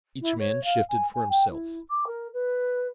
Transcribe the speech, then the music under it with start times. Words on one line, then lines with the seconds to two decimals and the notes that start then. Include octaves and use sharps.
Each man shifted for himself.
0.21 E4
0.39 C#5
0.64 F5
0.89 G#5
1.14 G#5
1.29 G5
1.50 E4
1.90 D6
2.06 A#4
2.33 B4